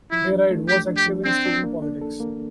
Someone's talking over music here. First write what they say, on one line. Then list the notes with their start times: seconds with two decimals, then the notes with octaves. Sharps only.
Hareide was active in student politics.
0.11 F3 E4
0.31 D4
0.50 A3
0.68 F3 G4
0.88 D4
0.97 G4
1.06 F3
1.25 C4 D4
1.45 D4
1.63 A#3
1.82 D4
2.01 A4
2.20 A#3